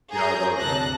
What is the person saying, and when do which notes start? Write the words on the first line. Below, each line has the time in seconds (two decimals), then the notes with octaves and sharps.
Yeah, I love that.
0.12 G#4 A#5 G6
0.58 D2 G2 C3 A5 F#6 A#6